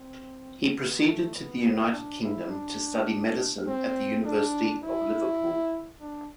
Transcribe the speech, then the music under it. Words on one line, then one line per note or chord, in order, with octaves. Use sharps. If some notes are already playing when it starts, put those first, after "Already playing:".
He proceeded to the United Kingdom to study medicine at the University of Liverpool.
Already playing: C4
B3
A3
B3
D4
E4
D4
C4
D4
E4
D4